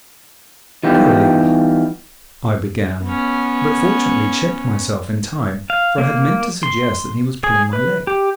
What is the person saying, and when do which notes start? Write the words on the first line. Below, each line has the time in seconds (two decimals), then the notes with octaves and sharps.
"Surely----" I began, but fortunately checked myself in time, for I had meant to suggest that he was pulling my leg.
0.83 E3 G3 B3 D#4 F4 G4
3.05 B3 C#4
5.70 F5
5.98 A#3
6.63 C6
7.44 G#4
7.73 B4
8.07 G4